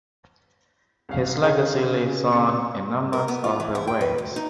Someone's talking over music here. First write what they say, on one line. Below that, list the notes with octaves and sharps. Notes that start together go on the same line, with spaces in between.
His legacy lives on in numerous other ways.
C2 C#4 F5
C#3 G#4
C3 A6 C#7
A#4
B3
F4
E3
E4
G5
B4
D2
D#4